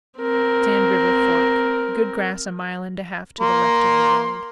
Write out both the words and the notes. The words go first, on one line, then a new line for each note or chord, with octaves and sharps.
Sand River Fork.--Good grass a mile and a half to the left of the road.
C4 A#4
A#3 A#5 C6